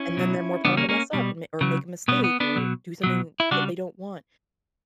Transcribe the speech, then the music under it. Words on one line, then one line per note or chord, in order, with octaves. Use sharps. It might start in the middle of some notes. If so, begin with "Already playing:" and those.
And then they're more prone to mess up and ma or make a mistake or do something that they don't want.
Already playing: C#4 E4
B2 F#3
C#3 E3 G3 B3 D4
A#3 C#4
A#3 C#4
B2 G3
C#3 F#3
B2 G3 B3
B3
B3 D4
B2 F#3
B2 F#3
E4
C#3 G3 D4 F#4